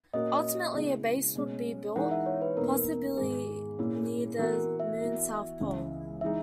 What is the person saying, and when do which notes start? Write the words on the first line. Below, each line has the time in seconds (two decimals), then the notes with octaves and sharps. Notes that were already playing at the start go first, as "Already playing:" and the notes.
Ultimately a base would be built, possibly near the Moon's south pole.
0.13 A#2 A#3 C#4 F#4 A#4 D#5
0.74 C#3 G#3 B3 E4 G#4
1.35 B2 G#3 C#4
1.96 E3 G#3 D#4 A#4 F#5
2.11 E5
2.26 C#5
2.42 B4
2.57 E2 B2 A#3 D#4 A#4
3.17 G#2 D#3 G#3 G#4
3.79 A#2 A#3 C#4 E4
4.39 E3 B3 F#4 A#4
4.80 E5
5.00 E3 B3 F#4 A#4
5.60 C#2 C#3 E3
6.21 E3 G#3 D#4 E5